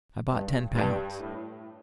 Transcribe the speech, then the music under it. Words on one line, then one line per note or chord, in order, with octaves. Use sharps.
I bought ten pounds.
G2
G2
A2